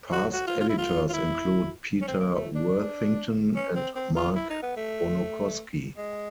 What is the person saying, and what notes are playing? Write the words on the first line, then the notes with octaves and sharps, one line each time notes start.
Past editors include Peter Worthington and Mark Bonokoski.
F#4
F#4
F4
F4
E4
F4
F4
E4
C#4
C4
A#3
A3
D4
C#4
C4
C4
F4
E4
D#4
B3
A3
G#3